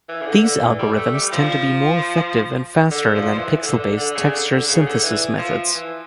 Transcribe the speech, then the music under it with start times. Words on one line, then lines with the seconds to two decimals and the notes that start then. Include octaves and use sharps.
These algorithms tend to be more effective and faster than pixel-based texture synthesis methods.
0.09 E3
0.21 C#3
0.26 D3
0.43 D3
0.62 E3
0.79 G3
0.97 A3
1.15 G3
1.32 F3
2.91 D3
3.15 F3
3.32 F3
3.38 E3
3.62 D3
3.79 D3
3.97 D3
4.15 C#3
4.32 D3
4.50 D3
4.68 C#3
4.85 D3
5.03 E3
5.38 F3
5.74 E3